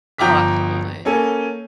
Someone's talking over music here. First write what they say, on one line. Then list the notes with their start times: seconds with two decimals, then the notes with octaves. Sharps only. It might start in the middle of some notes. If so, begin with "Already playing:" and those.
Oh, absolutely.
0.18 G1 F3 G5 A#5 D6 B6
1.05 A#3 C#4 A4 G#5